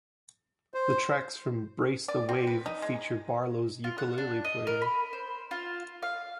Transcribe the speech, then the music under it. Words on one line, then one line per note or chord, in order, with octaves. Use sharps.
The tracks from "Brace the Wave" feature Barlow's ukulele playing.
C5
D5
C4
B4
D#4
G#3
F4
F#5
D4
D#5
A#4
B5
C5
F4
F5